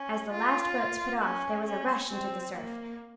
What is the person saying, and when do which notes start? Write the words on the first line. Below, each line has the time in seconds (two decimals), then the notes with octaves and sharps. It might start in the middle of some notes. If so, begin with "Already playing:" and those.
As the last boats put off there was a rush into the surf.
Already playing: C#4
0.32 F4
1.21 C#4
1.67 C#4
2.11 C4
2.56 A#3